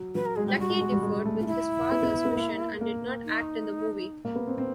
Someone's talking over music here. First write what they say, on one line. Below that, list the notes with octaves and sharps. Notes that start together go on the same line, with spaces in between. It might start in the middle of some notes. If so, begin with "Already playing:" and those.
Lucky differed with his father's vision and did not act in the movie.
Already playing: F#3
F#3 B4
A#4
G#3 G#4
G3 G4
F4
G3 F#4
G#3
G#3
G3
G#3
G#3
A3
F4
E4
B3
B3
B3
A#3
A#3
D#4
A#3
B3
C4
C4